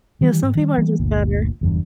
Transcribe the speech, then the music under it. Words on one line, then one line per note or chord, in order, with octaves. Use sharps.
Yeah, some people are just better.
D#3 E3 G3
G#2
D#3 F#3 G3
E3 G3 A#3 B3
G1 D2 A#2
F#1 E2 G2